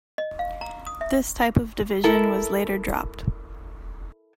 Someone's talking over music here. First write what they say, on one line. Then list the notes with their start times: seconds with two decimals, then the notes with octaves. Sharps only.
This type of division was later dropped.
0.18 D#5
0.39 F5
0.61 A#5
0.87 D#6
1.01 E5
2.04 E4 A4 A#4